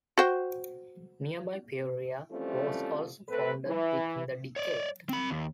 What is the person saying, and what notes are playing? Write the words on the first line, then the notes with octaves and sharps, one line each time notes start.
Nearby Peoria was also founded within the decade.
F#4 C5 G5
E3 F3 G3 A3 C4 C#4
A3 C4 A4 B4
E3
C#5 D5
C4 B5
D#2